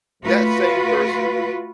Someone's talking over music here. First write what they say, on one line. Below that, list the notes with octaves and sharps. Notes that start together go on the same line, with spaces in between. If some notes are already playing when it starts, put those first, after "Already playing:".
that same person
A3 F4 F#4 B4